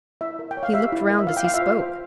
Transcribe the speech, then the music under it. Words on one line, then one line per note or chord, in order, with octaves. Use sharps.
He looked round as he spoke.
E4 E5
A#4
G5
C#5
F5
G4 E5
E4
A#4
E5
F4 F5
G5
F4 F5
E5
C5
C5